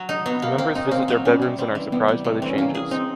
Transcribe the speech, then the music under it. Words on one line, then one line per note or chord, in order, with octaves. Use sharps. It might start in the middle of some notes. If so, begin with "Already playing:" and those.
The members visit their bedrooms and are surprised by the changes.
Already playing: F#3
D#4
F#3 B3
A#3
A#3 C4
C4 D#4
C#4
A#3 C4
F#3
G3 C#4
C3
G3 C4
E3
C3 B3
G3
C3 A3
E3 C4
C#4
A#3
G#4
C4 D#4